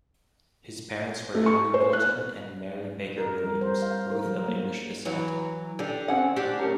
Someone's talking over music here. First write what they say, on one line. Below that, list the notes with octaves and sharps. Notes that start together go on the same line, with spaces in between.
His parents were Henry Middleton and Mary Baker Williams, both of English descent.
A3
C#6
C5
F#6
A#4
G3
C5
F5
A#4
F#3
A#3
E3 F#3
D3 D4 G4
C4 C#4 F#5
D4 F#4 G4
A3 C#4 A#4